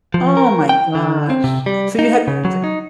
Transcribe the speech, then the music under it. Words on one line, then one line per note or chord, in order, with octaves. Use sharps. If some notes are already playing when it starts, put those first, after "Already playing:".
Oh, my gosh. So you had s
F3
A#4
G5
D3
C4
C3
G3
D#4
C#3
F#3
D#4